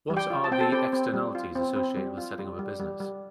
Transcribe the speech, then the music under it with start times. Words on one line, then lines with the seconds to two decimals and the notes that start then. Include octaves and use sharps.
What are the externalities associated with setting up a business?
0.10 G3
0.16 G4 G5
0.30 F4
0.44 A5
0.51 C4 G5
0.60 A4 A5
0.72 C4 G4 G5
0.93 C4
1.14 G3
1.35 F4
1.55 C4
1.76 C4
1.97 G3
2.18 F4
2.39 G3
2.59 G3
2.80 G3
3.00 G3